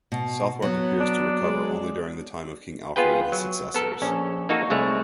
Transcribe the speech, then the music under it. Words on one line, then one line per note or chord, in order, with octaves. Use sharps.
Southwark appears to recover only during the time of King Alfred and his successors.
B2
F#3 B3
D4
G#3 D5
B3 F4 G#4 B4 G5
F#3
B3 A4 A#4
A#1 C#4
A#3 D#4 F#4 A4
C2 G#3 A3 C#5